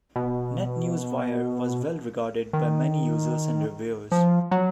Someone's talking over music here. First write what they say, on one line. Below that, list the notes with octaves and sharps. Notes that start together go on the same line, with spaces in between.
NetNewsWire was well regarded by many users and reviewers.
B2
D#3
F3
F#3